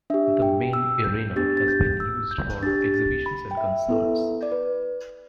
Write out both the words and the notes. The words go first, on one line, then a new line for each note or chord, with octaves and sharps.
The main arena has been used for exhibitions and concerts.
D4 G4 E5
G5
E6
G6
B3 D4 G4 A6
A6
G6
E6
G6
D4 G4 A6
A6
B5
G5
E5
B3 E4 A4
D5
B4